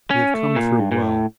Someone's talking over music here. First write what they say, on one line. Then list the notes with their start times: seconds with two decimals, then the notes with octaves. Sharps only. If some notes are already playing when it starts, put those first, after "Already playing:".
We have come through well.
0.10 C#4
0.34 A3
0.56 A#2
0.79 G2
0.92 A#2
1.02 A2